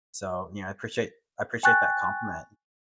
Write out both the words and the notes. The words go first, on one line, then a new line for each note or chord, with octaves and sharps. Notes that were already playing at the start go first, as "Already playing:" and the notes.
so, you know, I appreciate I appreciate that compliment.
G5 G#5 C#6 F#6 A6